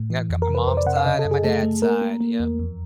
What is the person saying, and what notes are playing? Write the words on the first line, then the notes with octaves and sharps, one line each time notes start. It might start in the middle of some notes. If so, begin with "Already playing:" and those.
Yeah, I've got my mom's side and my dad's side, yep.
Already playing: A2 A3
E3
F2
A#4
C3
B4
F2 C5
D5
C3 F#5
F5
C#3 D#5
A4
F#2
G#4
A3 A4
A3
A#3 A#4
A#3
A#3
E2
F2